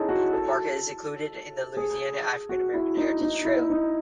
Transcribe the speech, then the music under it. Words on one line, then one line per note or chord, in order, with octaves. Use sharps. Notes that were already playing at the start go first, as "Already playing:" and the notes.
The market is included on the Louisiana African American Heritage Trail.
Already playing: C#4 D#4 E4 G#4 A4
F#4
A4
G#4
F#4
E4
D#4
D#4
E4
D#4